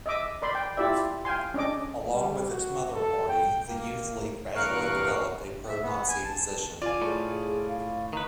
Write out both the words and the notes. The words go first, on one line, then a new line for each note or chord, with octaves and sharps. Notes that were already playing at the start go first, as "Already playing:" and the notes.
Along with its mother party, the youth league gradually developed a pro-Nazi position.
D#5 E5 D6 D#6
A#4 D5 B5 C6
G5
E4 F4 G4 D5 E5
F5 G5 G#5 C6
C#4 D4 D#5 D6
G3
F#4
A4
G5
A#3
E2 G2 A#4 F5 C#6 F#6
E5
B3
G#5
A5
F4 D5 G#5
A2 G#4
F5
D#3 B4 A#5